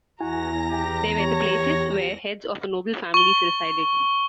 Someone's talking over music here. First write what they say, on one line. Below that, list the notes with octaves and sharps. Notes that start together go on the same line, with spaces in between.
They were the places where heads of a noble families resided.
E2 E4 F#4 G#5 A#5 A#6
G4
G4 C#5
C#6 G7